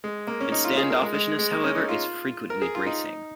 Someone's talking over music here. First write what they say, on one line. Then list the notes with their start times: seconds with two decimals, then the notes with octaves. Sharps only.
Its stand-offishness, however, is frequently bracing.
0.04 G#3
0.27 A#3
0.41 C#4
0.52 D#4
0.65 F4
0.77 G#4
0.90 A#4
1.02 G#3
1.14 G#3
1.39 G#3
1.51 A#3
1.64 C#4
1.75 D#4
1.89 F4
2.50 A#4
2.62 G#4
2.75 F4
2.86 D#4